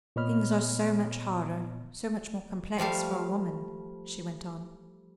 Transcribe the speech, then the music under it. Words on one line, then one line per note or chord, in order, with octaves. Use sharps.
"Things are so much harder, so much more complex for a woman," she went on.
A#2 B3 C#5 D#5 B5 F6
F3 G3 A3 F5